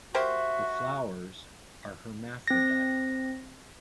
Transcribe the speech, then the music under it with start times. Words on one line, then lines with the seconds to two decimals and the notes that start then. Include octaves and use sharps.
The flowers are hermaphrodite.
0.15 A#3 F#4 G4 C5 E5
2.48 C4 A#6